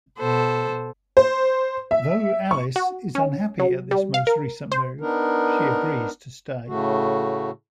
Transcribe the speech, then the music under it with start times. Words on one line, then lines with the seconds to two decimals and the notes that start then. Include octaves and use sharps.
Though Alice is unhappy at this most recent move, she agrees to stay.
0.18 B2 A4 C5
1.17 C5
1.91 E5
2.51 C#6
2.76 F#4
3.15 C#4
3.59 F#3
3.91 G3
4.14 F5
4.27 A#4
4.72 C5
4.99 B3 D4 D#4 A#4
6.68 A2 C#3 A3 F#4